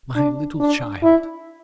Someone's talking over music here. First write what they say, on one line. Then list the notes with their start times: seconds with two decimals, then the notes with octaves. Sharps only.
"My little child!"
0.16 D4
0.60 D4
1.03 E4